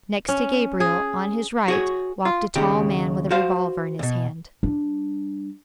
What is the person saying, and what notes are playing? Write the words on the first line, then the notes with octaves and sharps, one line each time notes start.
Next to Gabriel, on his right, walked a tall man with a revolver in his hand.
C#4
G#4
F#4 G#4 C#5
F4
D#2 C#3 G4
F#4 C5 F5
D2 B2
G3 D4